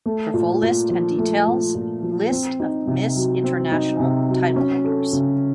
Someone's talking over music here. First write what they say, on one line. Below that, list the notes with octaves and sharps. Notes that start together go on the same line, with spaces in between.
For full list and details List of Miss International titleholders.
A3
A#2
A#2
F3
A3
A#2
A#2
F3
C4
D#4
C3
F#3
C4
D#4
C3
F#3
C#4
A4
C#3